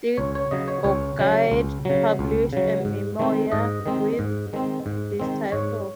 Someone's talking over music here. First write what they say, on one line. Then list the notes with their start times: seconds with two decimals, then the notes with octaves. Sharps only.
Dirk Bogarde published a memoir with this title.
0.17 C#2 C#5
0.35 C#5
0.51 C#3 F#3 D#5
0.68 C#5
0.84 C#2 C#5
1.19 C#3 F#3
1.52 C#2
1.85 C#3 F#3
2.19 C#2
2.53 C#3 F#3
2.85 G#2
3.19 D#3 G#3 C4
3.52 G#2 D#5
3.86 D#3 G#3 C4
4.19 G#2
4.53 D#3 G#3 C4
4.86 G#2
5.20 D#3 G#3 C4
5.52 G#2 C#5